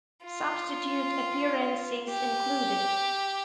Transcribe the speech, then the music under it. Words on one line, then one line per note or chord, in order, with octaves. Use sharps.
Substitute appearances included.
F4
G4